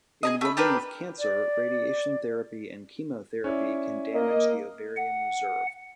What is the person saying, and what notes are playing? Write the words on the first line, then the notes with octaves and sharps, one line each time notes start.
In women with cancer, radiation therapy and chemotherapy can damage the ovarian reserve.
G#4 A#4 D#5
A3 B5
D4 G4 A#4 B4
D5
C#4 E4 D5
A#3 A#4 D#5
F#5